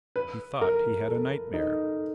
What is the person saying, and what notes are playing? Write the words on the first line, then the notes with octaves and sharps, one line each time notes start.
He thought he had a nightmare.
B4
A#4
A4
D#4